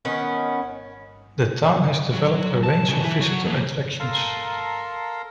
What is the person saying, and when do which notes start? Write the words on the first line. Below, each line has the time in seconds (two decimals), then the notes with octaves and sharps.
The town has developed a range of visitor attractions.
0.05 D#3 B3 C#4
2.13 F#3
2.63 A5
2.89 C#3 E3
3.04 E3 E4
3.20 F#3
3.44 F2 A#3
4.00 A4 A#4 F5 A5 A#5 C6